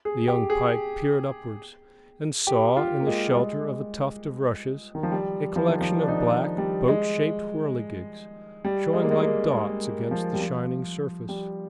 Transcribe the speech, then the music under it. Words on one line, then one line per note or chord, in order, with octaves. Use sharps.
The young pike peered upwards, and saw in the shelter of a tuft of rushes a collection of black, boat-shaped whirligigs, showing like dots against the shining surface.
G#4
G4
G#4
G4
F4
A#3
G#3
G3
G#3
D#3
F3
G3
F3
D#3
F3
D4
D#4
D4
G3
G#3
G3
G#3
A#3
G#3
A#3
G#3
F3
G3
F3
G3